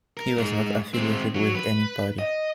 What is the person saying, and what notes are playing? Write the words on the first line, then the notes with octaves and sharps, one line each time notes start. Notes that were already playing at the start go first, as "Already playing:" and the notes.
He was not affiliated with any party.
A#4
G#2 G#3
G#3 C4
F#3
B4
D#5